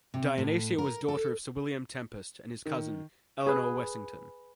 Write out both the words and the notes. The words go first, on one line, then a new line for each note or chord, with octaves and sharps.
Dionysia was daughter of Sir William Tempest and his cousin, Eleanor Wessyngton.
C3
A2
A#4
A4
D#3
G#4 B4